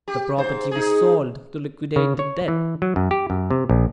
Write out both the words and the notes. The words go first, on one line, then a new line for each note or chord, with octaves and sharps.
The property was sold to liquidate the debt.
G4
G#2 C5
D#4 G#4
C#3
C#5
E3
F#3
F#2
G4
F#2
C3
A#1